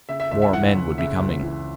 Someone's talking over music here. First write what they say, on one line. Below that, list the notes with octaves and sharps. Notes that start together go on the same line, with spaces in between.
More men would be coming.
C#3 E5
E5
C#2 E5
E5
E3 F#5
C#2
C#3 E5
C#2
E3